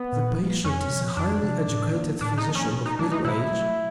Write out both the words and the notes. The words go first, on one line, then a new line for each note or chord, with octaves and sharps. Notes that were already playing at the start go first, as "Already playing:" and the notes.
The patient is a highly educated physician of middle age.
Already playing: B3
A#2
F3 A#3
F2 C#4
C3 F3
F2 D4
C3 F3
A2
F3 A#3 D4
A2 D4
D#4
F3 A#3 D4
C#4
B2
D#4
F#3 A3 D4
D#4
B2 E4
F#3 A3